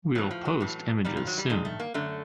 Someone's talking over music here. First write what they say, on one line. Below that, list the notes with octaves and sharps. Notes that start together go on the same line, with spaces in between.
We'll post images soon.
A2 E3 F#3
F3
F#3
A2 E3
G2 D#3 G3
F3
F#3
G3
G2 D#3 G#3
A3
A#3
F#2 D3 A3